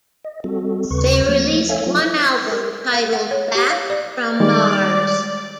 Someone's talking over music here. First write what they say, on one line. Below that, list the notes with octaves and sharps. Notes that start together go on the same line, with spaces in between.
They released one album titled "Back From Mars".
D#5
G3 C4 F#4 A4
D#2 C#3 B4 C#6
F3 A3 A#3
A4 C#5 E5 F5 G#5
F#3 D#4 F4
A#4
F5
F#5
C#5
G4
F5
D5
D#3 G3 G#3 D5